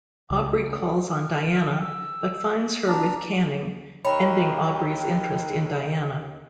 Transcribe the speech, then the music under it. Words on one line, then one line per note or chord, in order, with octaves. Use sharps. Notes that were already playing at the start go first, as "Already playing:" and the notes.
Aubrey calls on Diana, but finds her with Canning, ending Aubrey's interest in Diana.
C#2
F6
E6
D4 A#5
D#2 C#5 G5 A#5 B5